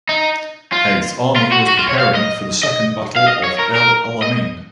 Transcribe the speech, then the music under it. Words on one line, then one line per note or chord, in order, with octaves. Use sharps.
Eighth Army was preparing for the Second Battle of El Alamein.
D#4
F4
F4
F#4
F#4
F4
C#5
F5
D#5
D#5
F5
D#5
C#5
A#4
A#4
D#5